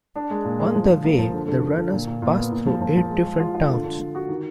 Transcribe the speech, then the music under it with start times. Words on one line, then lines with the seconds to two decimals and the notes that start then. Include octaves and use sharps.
On their way the runners pass through eight different towns.
0.16 D4
0.30 G#3
0.45 A#2
0.60 G#3
0.75 F3
0.89 F3
1.04 A#3
1.18 F3
1.33 D3
1.48 D3
1.62 D3
1.77 D3
1.93 A#2
2.07 A#2
2.22 A#2
2.37 B3
2.52 A#2
2.66 F3
2.81 F3
2.96 F3
3.10 G#3
3.26 G#3
3.40 F4
3.54 F4
3.69 D3
3.84 D3
3.99 D3
4.15 F#4
4.29 D#3